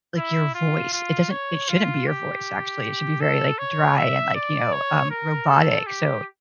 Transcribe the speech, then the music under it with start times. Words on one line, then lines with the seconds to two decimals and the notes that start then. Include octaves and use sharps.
like, your voice, it doesn't, it shouldn't be your voice, actually, it should be very, like, dry and, like, you know, um, robotic, so
0.17 E4
0.55 F4
0.92 F4
1.31 C#5
1.69 F4
2.07 G4
3.21 A4
3.59 C#5
3.97 E5
4.35 D5
4.73 C#5
5.11 A#4
5.48 A4
5.87 G4